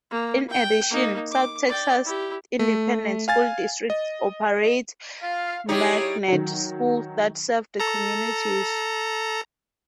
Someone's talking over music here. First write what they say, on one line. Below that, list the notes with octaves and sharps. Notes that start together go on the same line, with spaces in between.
In addition, South Texas Independent School District operates magnet schools that serve the communities.
A#3
G5
A#3 D#4
D6
D5 G5
E4 G4
A3
F5 G#5 A6
D#5
F4 F5
G3 D#4 E4 G4 G#4 C#5
D#3 F#3
A4 A#5